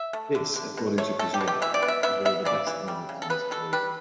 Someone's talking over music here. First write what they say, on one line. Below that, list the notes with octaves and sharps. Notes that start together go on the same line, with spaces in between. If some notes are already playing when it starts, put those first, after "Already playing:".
This according to Kazuya, was one of the best moments in his career.
Already playing: E5
A3
D3
D3
B2
A3 C#5
A3 A4
G4
B2
G4
E3 E5
D5
B3
E5
B3 E5
B3 E5
C#3 D5
E3
G3
C#3
A4
B3 B4
B2 A4
G3 B4